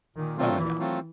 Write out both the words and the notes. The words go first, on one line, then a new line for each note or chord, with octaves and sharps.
Bye-bye now.
A#2 D#3
F#3 A3 C4 F4
A#2 E3
F#3 A3 C4 F4